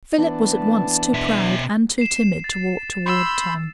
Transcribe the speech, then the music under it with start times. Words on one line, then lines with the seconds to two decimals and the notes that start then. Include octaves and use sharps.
Philip was at once too proud and too timid to walk toward Tom.
0.18 E3 B3 D4 A5
1.14 B2 E5
1.98 C7 E7
2.44 A6
3.06 B5 C6 E6 G6